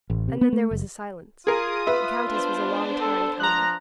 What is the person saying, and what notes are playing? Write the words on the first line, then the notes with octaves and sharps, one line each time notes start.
And then there was a silence; the Countess was a long time coming.
A1
C3
B3
A3
F#1
F4 G#4 A#4 D#6
B4 E5
B3 D4 C5
A4
F3 A#5 F#6